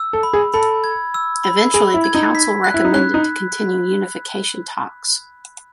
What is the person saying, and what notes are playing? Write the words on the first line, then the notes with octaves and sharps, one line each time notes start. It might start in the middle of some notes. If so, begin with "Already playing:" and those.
Eventually the council recommended to continue unification talks.
Already playing: E6
A4
B5
G#4
A4 B5
G#6
E6
B5
G#4 B5
E4
G#6
D#4
B6
F#6
E4
D#4
C#4 F#6
D#4